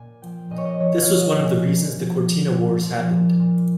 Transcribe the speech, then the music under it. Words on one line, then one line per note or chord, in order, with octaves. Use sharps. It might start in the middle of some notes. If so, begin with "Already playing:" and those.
This was one of the reasons the Cortina Wars happened.
Already playing: A#2 G#5
F3 G5
A#2 D#5
C#5
D#5
F3 C#5
F5
F3
D#5
F5
A#2
G#5
F3
A#2
F3
A#2
F3
A#2
A#2